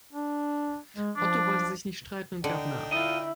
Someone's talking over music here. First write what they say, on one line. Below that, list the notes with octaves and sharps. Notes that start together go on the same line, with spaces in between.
Otto wollte sich nicht streiten und gab nach.
D4
G#3
F3 D4
D3 D4 D#4 G5
E4 F4 D#5